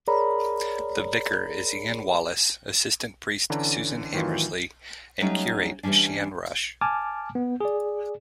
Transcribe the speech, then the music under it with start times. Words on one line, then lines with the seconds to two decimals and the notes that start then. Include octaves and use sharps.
The vicar is Ian Wallis, assistant priest Susan Hammersley and curate Shan Rush.
0.07 G#4 A#4 C#5 D5 A#5 B5
3.50 D3 E3 C#4 D5 A5 A#5
4.13 A2 D#3 E3 F#3 F4
5.21 F#3 G3 A3 C#4 D#4
5.83 E3 F#3 G3 C#4 D4
6.81 G#5 A5 D6 F6
7.35 B3
7.60 G#4 D5